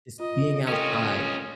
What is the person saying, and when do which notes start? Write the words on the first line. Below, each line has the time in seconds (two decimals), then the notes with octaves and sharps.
just being outside,
0.20 F4 D#5
0.68 C#4 F4 A4 A#4 D#5 G5